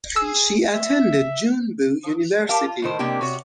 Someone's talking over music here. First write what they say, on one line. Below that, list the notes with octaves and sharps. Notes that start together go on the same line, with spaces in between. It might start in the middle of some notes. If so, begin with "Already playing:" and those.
She attended Joongbu University.
G#4 E6
E5
G4 A#4 F5 A5
F4
A2 D#3 C5
C3 G#3 A#3 C4 D4 G4
C3 F#4 C#5